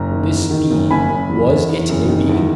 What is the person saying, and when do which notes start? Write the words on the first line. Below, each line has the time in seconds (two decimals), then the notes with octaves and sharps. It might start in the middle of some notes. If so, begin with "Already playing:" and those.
This being--was it a being?
Already playing: F#1 A#5
0.11 D#3
0.31 E2
0.51 D#3
0.71 F#1
0.90 F#1 G#5 B5
1.09 F#1
1.29 E2
1.49 E2
1.69 E2
1.89 F#1
2.08 D#3
2.29 E2